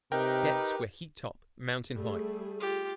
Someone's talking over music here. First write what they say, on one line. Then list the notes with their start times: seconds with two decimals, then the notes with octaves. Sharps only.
Debts were heaped up mountain-high.
0.12 C3 D#4 G4 A#4 B4 G5
1.94 G3 A3 G#4
2.60 F4 G4